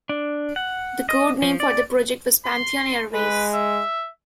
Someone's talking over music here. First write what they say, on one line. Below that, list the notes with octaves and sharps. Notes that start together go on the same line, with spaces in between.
The code name for the project was Pantheon Airways.
D4
F#5
D#5
F3
D5
C6
G#3 B4
E5